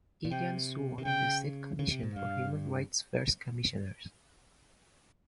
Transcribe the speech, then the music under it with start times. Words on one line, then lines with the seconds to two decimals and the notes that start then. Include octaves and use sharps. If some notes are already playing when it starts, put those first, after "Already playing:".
Egan swore in the State Commission for Human Rights’ first commissioners.
0.25 A#2
0.31 C3 G5
0.98 C3
1.05 C#3 G5
1.79 C#3
1.91 C3
2.03 G#2
2.15 G2 F5